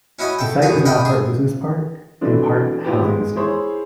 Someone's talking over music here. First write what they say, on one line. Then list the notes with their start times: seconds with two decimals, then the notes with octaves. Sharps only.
The site is now part business park and part housing estate.
0.19 C#4 E4 F#4 D#5 G#5
0.39 A4 G5
0.62 G2 B2 G#5 A#5 D#6
0.86 A#4 D#5 F#5 G5 B5
1.05 G#4
2.21 E3 F#3 A3 C4 D4
2.84 G#1 A#2 B3 G4
3.02 G#3
3.36 E4 G#4 C5 C#5